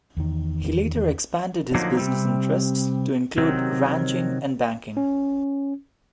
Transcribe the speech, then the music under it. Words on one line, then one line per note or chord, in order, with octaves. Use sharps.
He later expanded his business interests to include ranching and banking.
E2 D#3
D3 F3 F#3 A#3 D#4
C3 G3 C4
C3 D#3 F#3 C4
C#4